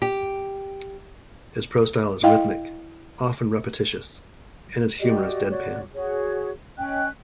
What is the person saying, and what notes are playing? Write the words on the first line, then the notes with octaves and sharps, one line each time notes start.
His prose style is rhythmic, often repetitious, and his humour is deadpan.
G4
E4 D#5 F5 G5
F#4 G4 D5 D#5
F#4 C#5 D5
F#4 G#4 C#5
C#4 D#5 G5 F#6